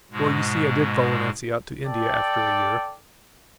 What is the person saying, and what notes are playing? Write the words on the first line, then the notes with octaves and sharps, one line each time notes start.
Well, you see, I did follow Nancy out to India after a year....
G#2 B2 G#3
A4 D5 G5